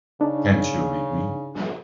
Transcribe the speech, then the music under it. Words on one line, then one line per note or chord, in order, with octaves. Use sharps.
Can't you read me?
C#3 D4 D#4